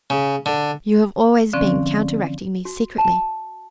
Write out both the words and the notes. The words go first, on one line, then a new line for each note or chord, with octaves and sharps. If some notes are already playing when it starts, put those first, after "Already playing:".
You have always been counteracting me secretly.
C#3
D3
D3 F3 C4 C#4 D5
F#4
A5